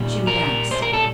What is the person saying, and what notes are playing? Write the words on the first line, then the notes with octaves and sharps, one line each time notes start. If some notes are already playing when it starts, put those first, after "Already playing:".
She would ask.
Already playing: A#2 G3
A#4
C5
A#4
A4